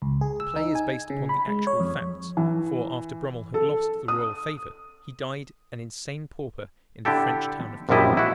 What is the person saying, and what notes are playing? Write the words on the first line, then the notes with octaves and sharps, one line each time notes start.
The play is based upon the actual facts; for after Brummel had lost the royal favor he died an insane pauper in the French town of Caen.
C#2
G#4
E6
D#4
G#5
C#3
B5
G#3
C#5
F2
E3
A4
D#6
D3 E4 G4 A4
A#1 F#2 F3 G3 E4 D#5
E4 F#4